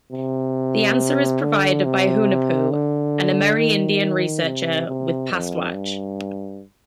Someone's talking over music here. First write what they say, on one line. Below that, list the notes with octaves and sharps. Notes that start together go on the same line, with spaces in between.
The answer is provided by Hunahpu, an Amerindian researcher with Pastwatch.
C3
D3
C3
D3
D#3
C3
C3
F2
G2